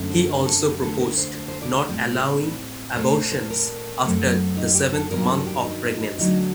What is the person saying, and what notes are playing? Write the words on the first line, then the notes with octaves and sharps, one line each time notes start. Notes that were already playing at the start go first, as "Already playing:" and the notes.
He also proposed not allowing abortions after the seventh month of pregnancy.
Already playing: F#2 D3 A3 C4
C5
A#4
A4
G4
D2 D3 A3 A4
A4
A#4
C5
C5
C5
D5
A2 G3 C4 D5
A#2 A3 C4 C5
C5
C5
A#4
F#2 F#3 A3 C4
D#4
G4
A4
G2 D#3 F#3 A#4
A4
G4
D#4
D2 D3 F#3 D#4